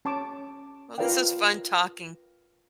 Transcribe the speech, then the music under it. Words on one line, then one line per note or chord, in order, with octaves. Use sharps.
Well, this is fun talking.
C#4 A5 C#6 D6
F4 A#4 B4 D5 F5 G5